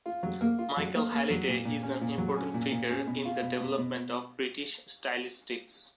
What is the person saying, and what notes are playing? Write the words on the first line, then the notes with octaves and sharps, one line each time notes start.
Michael Halliday is an important figure in the development of British stylistics.
F4
F#3
A#3
F4
F#3
A#3
A#3
F#3
A#2
A#2
C#4
A#2
F#3
C#4
A#2
A#2
C#4
B2
F4
B2
B2
B2